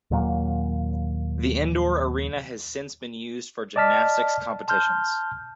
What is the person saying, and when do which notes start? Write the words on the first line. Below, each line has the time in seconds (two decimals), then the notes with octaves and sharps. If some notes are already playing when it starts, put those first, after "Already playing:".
The indoor arena has since been used for gymnastics competitions.
0.11 D#2 A#2 F#3 A#3
3.76 D5 D#5 A5 F6 B6
4.68 A5 C6 F6 G6